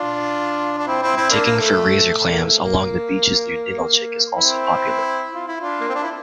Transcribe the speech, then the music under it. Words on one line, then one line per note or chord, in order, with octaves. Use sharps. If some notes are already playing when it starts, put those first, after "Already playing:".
Digging for razor clams along the beaches near Ninilchik is also popular.
Already playing: D4 F4
D4
C4 E4
C4 E4
C4 E4
A#3 D4
A#3
A3
A3
A#3
A3
A#3
C4 E4
F4
E4
D4 F4
A#3
C4
D4
E4